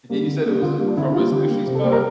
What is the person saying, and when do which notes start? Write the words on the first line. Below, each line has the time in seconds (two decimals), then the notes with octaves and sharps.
And you said it was, uh, from a sushi spot?
0.09 G3 A#3
0.27 D3
0.45 G3 A#3
0.62 D3 F4
0.79 G3 A#3
0.88 D4
0.97 D3 E4
1.14 G3 A#3 F4
1.32 D3 G4
1.49 G3 A#3
1.66 C3 G4
1.75 A4
1.84 G3 A#3 C5
1.92 A#4